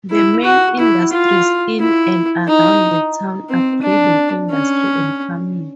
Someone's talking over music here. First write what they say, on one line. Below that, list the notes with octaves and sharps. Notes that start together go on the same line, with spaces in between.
The main industries in and around the town are breading industry and farming.
E4
F#4
E4
F4
E4
D#4
C4
D4
C#4